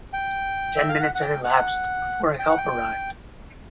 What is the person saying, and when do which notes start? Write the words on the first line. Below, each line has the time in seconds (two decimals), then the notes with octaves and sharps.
Ten minutes had elapsed before help arrived.
0.13 G5
0.76 E5
0.89 F5
1.00 F#5
1.15 F#5
1.21 G5
1.44 F#5
2.39 G5
2.49 F#5
2.57 G5